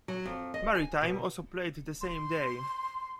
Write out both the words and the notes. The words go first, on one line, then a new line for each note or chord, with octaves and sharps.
Maritime also played the same day.
F#3
F2
D#5
G#5
B2
C6